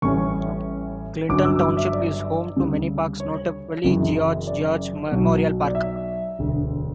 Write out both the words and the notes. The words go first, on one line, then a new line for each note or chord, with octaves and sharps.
Clinton Township is home to many parks, notably George George Memorial Park.
A1 A2 G3 C#4 C#6
G1 G2 F#3 C#4 D6
D6
E6
D6
E5
D5
D2 C#3 G3
C#5
F#1 F#2 C#3 E3
D5
B1 B2 F#3
D5
E5
E1 D2 D3